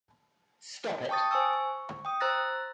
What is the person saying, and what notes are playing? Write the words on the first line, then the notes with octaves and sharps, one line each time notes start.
Stop it!
G5 A5 C#6 D#6 A6
C5 G#5 C#6 E6
C#6
G5 D#6
C5 A#5 E6 F#6 A6 A#6